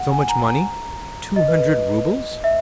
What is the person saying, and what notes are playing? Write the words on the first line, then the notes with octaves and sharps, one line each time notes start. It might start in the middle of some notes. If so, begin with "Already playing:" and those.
So much money--two hundred roubles!
Already playing: F#5
G#5
A#5
D#5
B4
B4
D#5
E5